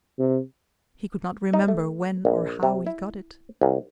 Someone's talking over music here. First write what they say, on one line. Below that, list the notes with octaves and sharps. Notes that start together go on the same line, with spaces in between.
He could not remember when or how he got it.
C3
D#4
A3
A#1
C3
E4
C2